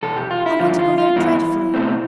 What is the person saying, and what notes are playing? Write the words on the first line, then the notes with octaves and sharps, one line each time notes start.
I want to go there dreadfully.
E2 B2 A4
G4
F4
E4
G2 D3 F3 F4
F4
F4
G2 E3 B3 E4
B2 A3 C4